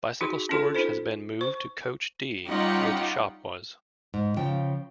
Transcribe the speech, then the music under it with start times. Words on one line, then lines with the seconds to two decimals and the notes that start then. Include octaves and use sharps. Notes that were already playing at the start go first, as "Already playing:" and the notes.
Bicycle storage has been moved to coach D where the shop was.
0.21 D#4 F#4 G#4 C6
0.49 C#4 D4 F4 A4 C6
0.75 D#4 F4 A4 C5
1.41 C5 C#6
2.46 G3 C#4 D#4 F4 G4 F#5
4.14 G#2
4.36 C#3 F3 G5